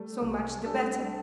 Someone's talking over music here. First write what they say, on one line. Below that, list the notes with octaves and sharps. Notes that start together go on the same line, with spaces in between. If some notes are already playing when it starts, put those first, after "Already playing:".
'So much the better.'
Already playing: G3 A3 A4
C2
A3 D4 A4